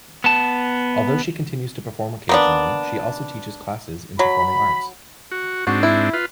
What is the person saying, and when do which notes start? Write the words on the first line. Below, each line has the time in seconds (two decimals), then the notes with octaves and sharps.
Although she continues to perform occasionally, she also teaches classes in performing arts.
0.24 B3 A5
2.29 A#3 B3 D4
4.19 F#3 B5
5.31 F#4
5.67 G#2 C4 D4 F#4
5.83 E4
6.13 F4 B4